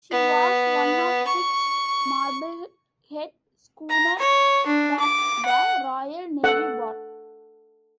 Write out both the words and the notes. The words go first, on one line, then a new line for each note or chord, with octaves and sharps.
She was one of six Marblehead schooners that the Royal Navy bought.
B3
C#6
A#5
C#5
D4
D6
F#5
A4 F#5